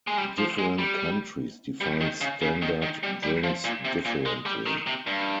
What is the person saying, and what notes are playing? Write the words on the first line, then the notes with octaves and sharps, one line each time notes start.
Different countries define standard drinks differently.
G#3
G3
F3
G#3
G3
G3
D#3
C#3
C#3
D#3
D#3
G3
G3
F3
A#2
C3
A#2
G#3
G3
D#3
C3
G2